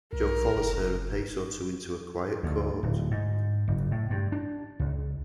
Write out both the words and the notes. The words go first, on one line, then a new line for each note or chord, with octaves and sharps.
Jo follows her a pace or two into a quiet court.
B1 A#4
F#1
D2
D1
G#2
F#1
A2
G2
D4
C#2